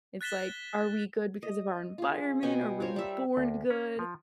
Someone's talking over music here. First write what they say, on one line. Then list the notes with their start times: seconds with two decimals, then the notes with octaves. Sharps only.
It's like, are we good because of our environment or were we born good?
0.21 F#6 A6 B6 E7 G7
1.43 D#5
1.98 F4 G#4
2.43 B2 B3 G5 G#5
2.80 F4 A#4 C5 C#5
2.96 G3 E5
3.37 D2
3.70 C#4
3.99 F3